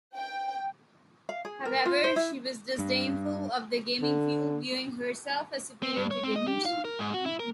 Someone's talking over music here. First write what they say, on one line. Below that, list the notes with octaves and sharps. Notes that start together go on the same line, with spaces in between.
However, she was disdainful of the gaming field, viewing herself as superior to gamers.
G5
F5
G#4
A#4
F4
C5
E4
G2
D3
C4
G2
C#5
C4
D#5
G4
F5
A#4
G#2
F#4
E4
A#4